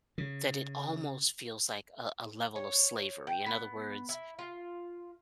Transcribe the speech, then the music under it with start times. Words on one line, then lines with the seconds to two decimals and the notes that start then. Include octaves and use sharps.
that it almost feels like a a level of slavery. In other words,
0.18 C#3
2.56 C#5
3.27 G5
3.46 B3
4.09 E4
4.39 F4